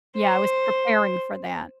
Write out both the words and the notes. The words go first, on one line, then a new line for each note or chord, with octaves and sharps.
yeah, I was preparing for that.
C5